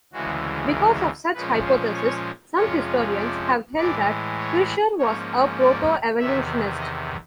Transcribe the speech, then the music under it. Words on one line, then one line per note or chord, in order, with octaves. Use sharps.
Because of such hypotheses, some historians have held that Kircher was a proto-evolutionist.
D2 C#3 E3 G#3 F#4
A#4
A#2 F3 G#3 C#4 B4
C5
C#5
F2 C3 F3 G#3 C#4 C#5
D5
A2 E3 G#3 D5
C#5
G#2 F3 A#3 C#4 C#5
D5
E2 C3 D#3 E5
D#5